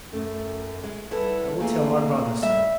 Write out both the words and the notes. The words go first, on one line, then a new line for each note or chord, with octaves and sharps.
I will tell my brother so.
F#2 A3
G#3
C2 B3 E4 A4
A3 A#3 G#4
G3 E5